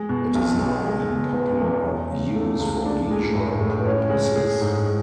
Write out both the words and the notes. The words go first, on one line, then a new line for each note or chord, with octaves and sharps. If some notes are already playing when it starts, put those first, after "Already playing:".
It is now in popular use for leisure purposes.
Already playing: G#3
B2
B1
B1
G#3
B2
B3
E2
F#3
C#3
A3
C#2
D4
G#3
A2
A2
C#4
G#3
G#4
G#2
G#3